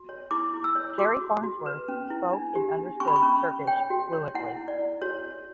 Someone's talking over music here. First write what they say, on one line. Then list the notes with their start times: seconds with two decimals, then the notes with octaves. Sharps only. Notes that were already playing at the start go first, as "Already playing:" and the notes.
Carrie Farnsworth spoke and understood Turkish fluently.
Already playing: F#4
0.09 C#5
0.31 E4 D6
0.54 E4
0.64 E6
0.75 C#5
0.98 F#4 D6
1.21 F#4
1.43 F#4
1.66 B4
1.88 C#4
2.10 E4
2.33 D4
2.55 G4
2.78 D4
3.00 C#4 C#6
3.08 B5
3.16 C#6
3.23 C#4
3.45 C#4
3.67 C#5 G5
3.90 F#4
4.13 C#5
4.35 E4 F#5
4.57 E4
4.68 D5
4.79 E4
5.02 F#4 C#5
5.24 C#5